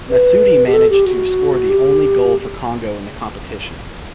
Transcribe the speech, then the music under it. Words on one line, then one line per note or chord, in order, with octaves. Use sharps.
Masudi managed to score the only goal for Congo in the competition.
B4
G4
A4
G4
F#4
G4